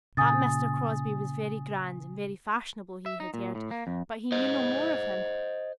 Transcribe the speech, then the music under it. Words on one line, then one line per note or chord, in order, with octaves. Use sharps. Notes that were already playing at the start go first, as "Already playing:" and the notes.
That Mr. Crosbie was very grand and very fashionable he had heard, but he knew no more of him.
A#2 C#3 G#5 D#6 A6
E5
D#4
A#2
A2
A#3
F2
C5 D#5